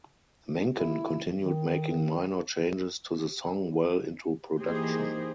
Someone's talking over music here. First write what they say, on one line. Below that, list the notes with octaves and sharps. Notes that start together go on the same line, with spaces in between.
Menken continued making minor changes to the song well into production.
E4
D#3
E3 A#3 D#4 G4 G#4 C5